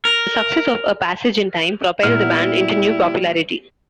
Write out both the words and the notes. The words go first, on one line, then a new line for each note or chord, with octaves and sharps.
The success of "A Passage In Time" propelled the band into new popularity.
A#4
A#2 G3 B3 E4 F6